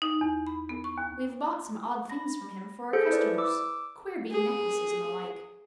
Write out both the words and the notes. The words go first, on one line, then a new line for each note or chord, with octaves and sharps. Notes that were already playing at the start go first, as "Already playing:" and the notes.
We have bought some odd things from him for our customers, queer bead necklaces and the like.
D#4
E2
B5
B3
C#6
D#2
B5 A#6
G#4 A4 C5 G6 C#7
E4 B4 D5
D6 E6
G#4